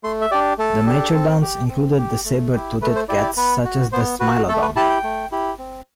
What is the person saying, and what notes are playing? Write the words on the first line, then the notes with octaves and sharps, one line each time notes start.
The machairodonts included the saber-toothed cats such as the "Smilodon".
A3 C6
E5
D4 G4 D5
A3 A4
D4 G4
C4
G4
C4
G4
A3
E4 G4
A3 B4
C5
E4 G4 D5
D5
B3 B4
F#4
B3 C5
F#4 B4
A3 A4
B4
E4 G4 A5
G5
A3
E4 G4
C4